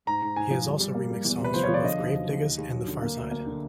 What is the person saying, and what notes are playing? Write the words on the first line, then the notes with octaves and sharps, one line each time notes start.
He has also remixed songs for both Gravediggaz and The Pharcyde.
G#2 A#5
G#2
G#2 G#5
F3
G3
G3
A#3
G3
E2
C3
B4
F3 C5
C#5
F3
D5
D3 D#5
D#2
F#3
D#2
D#2
D#2
F#3
D3
A#3
D2
A#3
D3